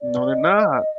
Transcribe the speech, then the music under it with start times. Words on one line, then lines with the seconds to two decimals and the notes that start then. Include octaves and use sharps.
No, they're not.
0.01 D5
0.29 D#5